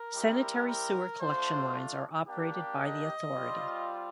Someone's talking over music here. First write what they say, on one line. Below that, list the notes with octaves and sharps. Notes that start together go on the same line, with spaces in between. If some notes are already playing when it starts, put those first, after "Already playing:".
Sanitary sewer collection lines are operated by the Authority.
Already playing: A#4
G3 C4 E4 G4
A#4
A3 D4 F4 C5
A#3 D4 G4
D#5
G3 C4 F4